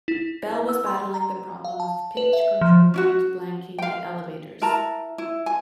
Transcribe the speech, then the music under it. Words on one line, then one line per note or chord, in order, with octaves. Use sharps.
Bell was battling the problem of pitch control due to "blanking" the elevators.
E4
E6
C6
A#5
F5
A5
B4
E5
F3
C#4 E4 F#4
F5 G5
E4 A#4 A5 A#5
E4
G#5